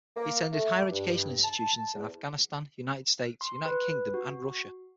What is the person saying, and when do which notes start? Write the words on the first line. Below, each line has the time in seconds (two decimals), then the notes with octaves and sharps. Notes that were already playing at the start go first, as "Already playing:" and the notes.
He attended higher educational institutions in Afghanistan, United States, United Kingdom and Russia.
0.16 A#3
0.52 A3
0.90 G2
1.43 A5
1.94 E2
3.41 C6
3.66 B4
4.14 F#4